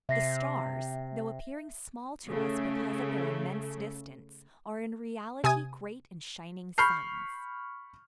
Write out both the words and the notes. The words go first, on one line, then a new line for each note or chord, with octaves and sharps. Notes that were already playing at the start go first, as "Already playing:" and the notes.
"The stars," though appearing small to us because of their immense distance, are in reality great and shining suns.
C3 E5 A#6 C7
C#3 A3
C3 G#5 D#6 G#6
B5 C#6 F6 G6 C7